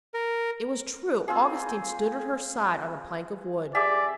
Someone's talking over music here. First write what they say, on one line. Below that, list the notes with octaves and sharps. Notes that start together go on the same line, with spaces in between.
It was true; Augustine stood at her side on the plank of wood.
A#4
C4 F4 G#4
G4 G#4 D5 E5